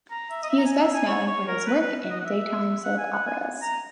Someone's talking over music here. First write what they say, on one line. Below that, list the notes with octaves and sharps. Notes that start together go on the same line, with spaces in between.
He is best known for his work in daytime soap operas.
A#5
E5
D#5
E5
A#5
G#5
E5
G#5
C#5
C#5
A#4
B4
B4
D#5
F#5
E5
F#5
G#5
F#5
G#5
A#5